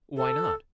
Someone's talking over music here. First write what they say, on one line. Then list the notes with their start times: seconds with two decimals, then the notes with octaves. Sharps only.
"Why not?"
0.16 A4